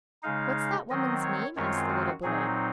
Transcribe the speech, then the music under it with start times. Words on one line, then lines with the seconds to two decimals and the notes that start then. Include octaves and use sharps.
"What's that woman's name?" asked the little boy.
0.23 C#3 G#3 D#4 F5
0.90 D#3 F#3 C4 D#5
1.23 C#5
1.56 F#2 D#3 G#3 C4 F4 C#5
1.90 F#4
2.23 A#2 F#3 C4 D#4 G#4